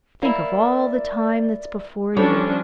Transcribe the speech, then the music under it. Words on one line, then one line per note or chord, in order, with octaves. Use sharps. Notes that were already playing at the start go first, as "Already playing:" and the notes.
Think of all the time that's before you.'
A#3 E4 D5
F3 G3 C#4 D4 A4 C5 C#5